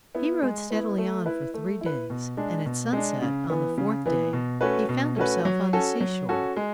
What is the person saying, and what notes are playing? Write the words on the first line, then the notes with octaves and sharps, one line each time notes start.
He rode steadily on for three days, and at sunset on the fourth day he found himself on the seashore.
B3 E4
G#3
B3 E4
A3
E4 B4
A3
E4 B4
B2
G#3 D4
B2
G#3 D4
C#3
E3 B3
C#3
E3 B3
B2
A3 C#4 F#4 B4
B2
A3 C#4 F#4 B4
F#3
C#4 F#4 A4
F#3
C#4 F#4 A4
G#3